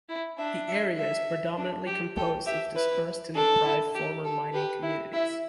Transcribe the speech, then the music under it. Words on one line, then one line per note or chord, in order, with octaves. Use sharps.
The area is predominantly composed of dispersed and deprived former mining communities.
E4
D4 E5
E5
E5
D4
G4
A4 G5
G4 E5
E4 B4
D4 A4
E4
G4
A4
G4 B4
E4
E4 E5